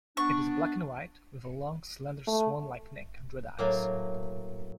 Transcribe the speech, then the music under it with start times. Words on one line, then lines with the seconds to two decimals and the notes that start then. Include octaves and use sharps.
It is black-and-white, with a long, slender, swan-like neck and red eyes.
0.17 B3 D4 C#6
2.27 A3
3.58 A2 F#3 A#3